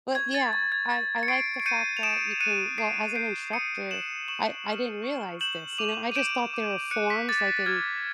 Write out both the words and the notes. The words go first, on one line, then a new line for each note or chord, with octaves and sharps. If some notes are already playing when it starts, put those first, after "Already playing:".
But, yeah, I I like the fact that you can well, as an instructor, I I didn't realize this, you know, I just thought there were forms, like, in
C#6 G#6
A6
C#6 A6
G#6
C#6 A6
C#7
C#6 C7 D7
D7
G6 C#7 D#7
F7
D#6 D7 E7
F#6 C#7 D#7
D#6 C7 D7
G6 C7 D7
D#6 C#7 D#7
F#6 E7 F#7
C#6 E7 F#7
F6
C#6
G6 E7 F#7
D6 D#7 F7
D#7
G6 D7 E7
D6
F#6 C#7 D#7
B6
D6 A6
F6 G#6